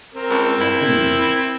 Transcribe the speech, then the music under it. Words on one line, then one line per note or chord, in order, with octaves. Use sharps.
Yes, indeed!
C4 A#4
C#2
E4